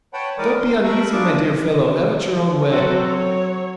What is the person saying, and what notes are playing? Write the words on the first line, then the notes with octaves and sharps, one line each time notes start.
Don't be uneasy, my dear fellow, have it your own way.
B4 C#5 F#5 G5 A5 B5
E3 G#3 A#4 D5 D6 D#6
C6
A4 A#4 B5 C#6
D4 F4 G#4 A5 D6
F#3 C4 F#4 A4
C#5